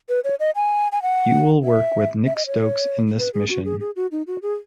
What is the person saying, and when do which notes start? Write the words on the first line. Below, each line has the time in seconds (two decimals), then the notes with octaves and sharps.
You will work with Nick Stokes in this mission.
0.09 B4
0.24 C#5
0.40 D#5
0.56 G#5
0.92 G#5
1.02 F#5
1.64 E5
2.26 E5
2.36 D#5
2.47 C#5
3.18 B4
3.34 G#4
3.50 F#4
3.65 G#4
3.80 G#4
3.96 F#4
4.12 D#4
4.27 F#4
4.42 G#4